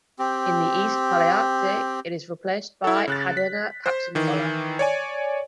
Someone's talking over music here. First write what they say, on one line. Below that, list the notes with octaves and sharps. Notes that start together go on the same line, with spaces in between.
In the East Palearctic it is replaced by "Hadena capsincola".
C4 G4
E4 A4
C#3 F#6 A6
B6
C5
D#3 E3
C#5 D5 G#5